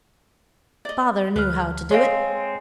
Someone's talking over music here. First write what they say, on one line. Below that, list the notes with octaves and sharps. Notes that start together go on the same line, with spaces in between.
"Father knew how to do it."
D5 D#5
D2 B4 F6
G#3 C4 G#4 C#5 D#5 F5